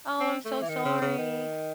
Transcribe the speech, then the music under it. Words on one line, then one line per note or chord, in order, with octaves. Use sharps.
Oh, I'm so sorry.
C4
A3
E3
D#3
C#3
C#3
D#3